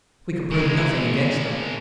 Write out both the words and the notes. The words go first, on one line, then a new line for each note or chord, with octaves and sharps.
We could prove nothing against them.
G#3 A#4